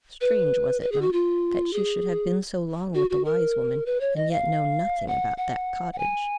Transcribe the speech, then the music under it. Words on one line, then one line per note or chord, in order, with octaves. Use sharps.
Strange, was it not, that she should have been so long with the wise woman, and yet know NOTHING about that cottage?
B4
B4
G#4
F#4
F4
G#4
F#4
F#4
A#4
B4
C#5
D#5
F5
F#5
F#5
F#5
G#5